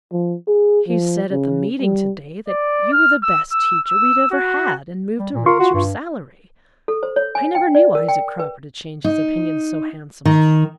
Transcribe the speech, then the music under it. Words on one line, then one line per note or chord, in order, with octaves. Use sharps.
"He said at the meeting today that you were the best teacher we had ever had and moved to raise your salary. I never knew Isaac Cropper to change his opinions so handsomely."
F3
G#4
F3
C#3
G3
D5
F6
E6
E6
E6
F#4
G3
A#2
F4 A#4 C6 C#6
F#4
G2
A4
C5
C#5
G#5
G5
D5
A#4
G5
B4
D#4
D#3